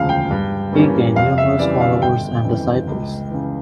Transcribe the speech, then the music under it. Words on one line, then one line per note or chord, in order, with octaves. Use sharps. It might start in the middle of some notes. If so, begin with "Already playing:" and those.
He gained numerous followers and disciples.
Already playing: E1 D2 C#3 F3 F5
G5
G2
E3 G3 A#3 C#4
F2 F5
E5
C#3 E3 G3 D5
F5
G1 G5
F2 C#3 E3
C#2
C#3 E3